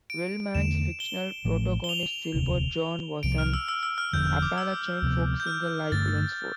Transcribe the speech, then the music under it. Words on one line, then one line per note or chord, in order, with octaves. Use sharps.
Wellman's fictional protagonist, Silver John, was an Appalachian folk singer, like Lunsford.
D7
E2 D3 A3 E7
G7
A1 A2 F3 A3
G7
F7
E1 D2 C3
C2 C3 F3 D7
F6
E6
E6
E6
F6
E1 E2 D3 F3 G6
D6
E6
D2 C3 F3 B3
G6
F6
G2 D3 A3 A6